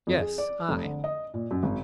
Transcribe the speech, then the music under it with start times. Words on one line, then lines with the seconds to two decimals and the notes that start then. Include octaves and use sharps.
"Yes, I!"
0.07 F2
0.20 G#4
0.38 D5
0.69 F1
0.84 D3
1.04 D#5
1.34 A#2
1.51 F#2
1.63 G#1